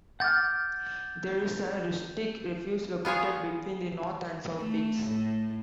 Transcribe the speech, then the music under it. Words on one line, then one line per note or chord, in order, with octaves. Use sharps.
There is a rustic refuge located between the north and south peaks.
F#5 D6 F6 G6 A6
B3 F4 G#4 C#5
A3
A2